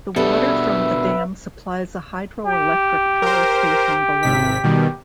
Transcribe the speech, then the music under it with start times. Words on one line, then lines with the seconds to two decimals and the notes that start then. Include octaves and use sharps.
The water from the dam supplies a hydroelectric power station below.
0.16 B2 G3 D4 A4 B4 E5
2.45 G4
3.22 A#4 C5
4.23 G#1 C3 B6
4.64 B2 D#3 G3